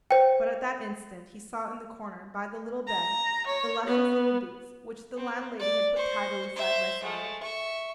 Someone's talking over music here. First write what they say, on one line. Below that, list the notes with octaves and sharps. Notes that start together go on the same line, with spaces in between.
But at that instant he saw in the corner, by the little bed, Ilusha's little boots, which the landlady had put tidily side by side.
C5 G5
A#5
C#5
B3
C4
D5
C5 C#6
C5 E5
G#3 A3
E5 C#6